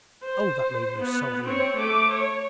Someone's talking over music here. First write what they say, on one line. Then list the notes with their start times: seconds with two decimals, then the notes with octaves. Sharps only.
Oh, that made him so angry!
0.24 C5
0.98 B3
1.44 C4 C#5
1.77 A3 D6
2.12 C#5